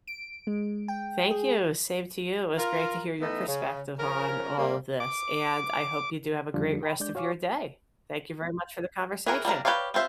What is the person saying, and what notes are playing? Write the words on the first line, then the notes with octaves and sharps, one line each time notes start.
Thank you, same to you, it was great to hear your perspective on all of this, and I hope you do have a great rest of your day. Thank you very much for the conversation.
D7
G#3
G5
G#4
F4 A#4
E3 A3 B3 D#4 E5
C#3
C#3 F3 C#4 A#4
C3 G3 A#3
D6
F2 D3 F3 G3 D4 F4
G5 A#5 B5
G#3 D4 D5 G6
F#4 C#5 F5 G#5 C#6 D6
E3 F#4 G#4 A#4
G3 A#3 D4 A#5
G4 B4 C#5 D5 F5
C4 F4 C5 E5